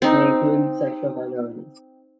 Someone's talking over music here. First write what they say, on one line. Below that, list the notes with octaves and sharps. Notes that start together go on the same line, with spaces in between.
It may include sexual minorities.
C4 D#4